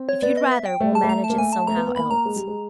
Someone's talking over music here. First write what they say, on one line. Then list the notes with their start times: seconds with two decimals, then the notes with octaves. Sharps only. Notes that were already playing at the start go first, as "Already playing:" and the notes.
If you'd rather, we'll manage it somehow else.'
Already playing: C4
0.09 C#5
0.22 B3 D5
0.37 D#5
0.52 E5
0.66 G5
0.80 A3
0.92 G#3 A5
1.04 A3
1.09 A#5
1.24 A5
1.30 A#3
1.38 A3 G#5
1.53 A5
1.67 A3 A#5
1.76 B3
1.87 B3
1.96 A#3 B5
2.11 A#3 A#5
2.25 G#3
2.36 G3
2.47 G#3